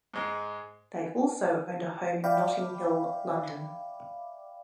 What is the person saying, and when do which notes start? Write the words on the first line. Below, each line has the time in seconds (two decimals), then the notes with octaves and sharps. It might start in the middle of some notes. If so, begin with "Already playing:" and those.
They also owned a home in Notting Hill, London.
0.14 G#2 G#3
2.24 D5 E5 F5 G5 B5 D6